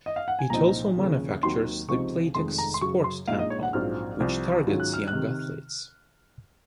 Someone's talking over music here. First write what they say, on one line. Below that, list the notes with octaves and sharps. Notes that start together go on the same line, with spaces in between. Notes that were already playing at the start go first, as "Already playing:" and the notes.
It also manufactures the Playtex Sport tampon, which targets young athletes.
D#5
F5
F#5
G#5
C2 A#2 F3 C4 D#4 A#5
D#2 C#3 F3 A#3 C#4
D#2 D#3 F#3 C4 C6
C#2 C3 F3 C4 D#4 C#6
F1 F2 D#3 G#3 C6
A#5
C6
F#2 C#3 F#3 C#6
C6
A#1 A#2 G#3 D#4 F5
D#5
C#5
F#5
A#1 G#2 F#3 C4 F4 F6
C2 C3 F3 C4
G#2 D#3 F#3 C#4 F4
F#6
F6
F#6
C3 D#3